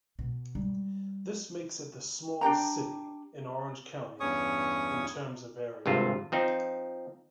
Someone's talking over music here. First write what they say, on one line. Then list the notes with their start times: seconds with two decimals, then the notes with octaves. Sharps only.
This makes it the smallest city in Orange County in terms of area.
0.19 B2
0.55 G3
2.41 D4 G4 G5 A#5
4.20 E2 G2 C#4 C#5 C#6 D#6
5.86 G#1 G2 C3 F4
6.32 F3 C4 D#4